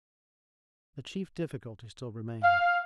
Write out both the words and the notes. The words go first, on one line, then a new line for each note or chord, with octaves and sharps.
The chief difficulty still remained.
F5